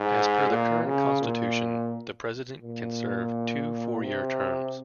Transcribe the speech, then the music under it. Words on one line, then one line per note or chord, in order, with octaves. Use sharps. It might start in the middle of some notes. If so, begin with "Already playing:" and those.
As per the current Constitution, the President can serve two four-year terms.
Already playing: G#2
A#2
C#3
A#2
A#2
C3